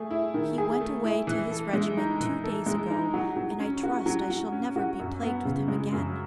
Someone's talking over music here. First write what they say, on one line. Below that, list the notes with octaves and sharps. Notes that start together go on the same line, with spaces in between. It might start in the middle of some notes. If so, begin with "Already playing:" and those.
He went away to his regiment two days ago, and I trust I shall never be plagued with him again.
Already playing: A3 G#4
E4
D#3
G#4
A3
E4
E3
A4
G#3
D#4
E3
A4
G#3
D#4
F#3
F#3
C#4
F#4
F#3
F#3
C#4
F#4
F#2
B3
C#3
G#3
F#2